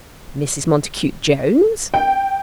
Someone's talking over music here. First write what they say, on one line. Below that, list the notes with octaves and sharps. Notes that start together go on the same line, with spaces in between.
"Mrs. Montacute Jones."
G5